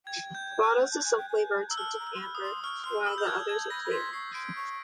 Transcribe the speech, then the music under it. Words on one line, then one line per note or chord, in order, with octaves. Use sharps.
The bottles of some flavors are tinted amber, while the others are clear.
G5 G#6
G6
F#6
A5
G#5
G5
G#5
A#5 E6
A5 F6
A#5
E6
C6
B5
D#6
C6
C#6 F6
C6 F6
B5 E6
G6
A5 G#6
A5 G#6
B5 A#6
B5
C6 B6
C#6 C7
C6 D7
C#6